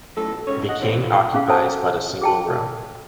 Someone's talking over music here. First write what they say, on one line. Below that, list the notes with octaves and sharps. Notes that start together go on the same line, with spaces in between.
The king occupies but a single room.
F#2 A2 A4
B2
G#2 C#3 C#4 C#5
D#5 F#5
E3 A#3 C4 D4
B1 F3 B3
C#4 G#4 F5
A4 C5 C#5 G#5 A5
G#4 G5 A5